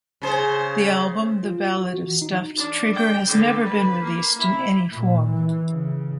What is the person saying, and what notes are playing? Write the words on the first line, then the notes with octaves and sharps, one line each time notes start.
The album "The Ballad of Stuffed Trigger" has never been released in any form.
C#3 G#4 C5
F4
F#4
E3
D#4
D4
G5
D3
B4
A#3
E4
A#2
E3
C#3